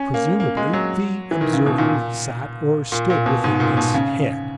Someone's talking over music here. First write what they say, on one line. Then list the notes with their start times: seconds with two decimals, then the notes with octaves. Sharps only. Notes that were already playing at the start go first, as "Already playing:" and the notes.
Presumably, the observer sat or stood within this "head."
Already playing: C#4
0.14 A#3
0.40 A#3
0.57 G#3
0.73 F#3
1.31 E3
1.41 D#3
1.53 C#3
1.66 B2
1.78 A#2
2.92 A#2
3.10 A#2
3.26 B2
3.44 G#2
3.60 A#2
3.77 B2
3.94 C#3